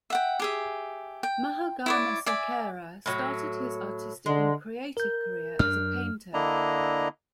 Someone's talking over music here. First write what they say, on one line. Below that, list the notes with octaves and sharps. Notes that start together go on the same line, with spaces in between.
Mahagama Sekera started his artistic and creative career as a painter.
E5 F#5 G5
G4 G#4 E5
G5
E4 C#5 D5
D5 E5 G#5
A2 F#3
D3 G#3
A#4 G6
F#2 D4 F6
D3 A#3 D4 E4 D#5 A#5